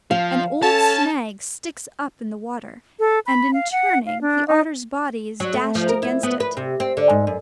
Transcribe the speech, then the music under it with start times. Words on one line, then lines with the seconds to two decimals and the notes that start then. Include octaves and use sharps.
An old snag sticks up in the water, and, in turning, the otter's body is dashed against it.
0.11 F3 F5
0.62 C#4 A4 A5
2.99 A4
3.26 B5
3.54 F5
3.72 F#5
4.06 F5
4.21 D4
4.48 D#4
5.40 F#3
5.54 A3
5.75 F3
5.89 A#4
6.03 E4
6.23 B3
6.40 B4
6.57 C3
6.80 C4
6.97 D3
7.10 G#2
7.27 F#2